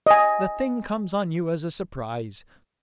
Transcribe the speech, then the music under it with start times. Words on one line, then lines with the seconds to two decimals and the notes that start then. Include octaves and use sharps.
The thing comes on you as a surprise.
0.07 D#5 G#5